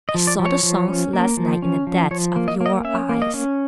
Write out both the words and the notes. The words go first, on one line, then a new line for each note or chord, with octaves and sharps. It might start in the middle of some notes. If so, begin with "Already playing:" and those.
"I saw the songs last night in the depths of your eyes."
D#5
F3
D5
F3
C#5
F3
C#4
A#3
F3
C#4
F3
F3 C#5
A#3
D#5
A#3
D#5
C#4 E5
A#3
D#5
C#4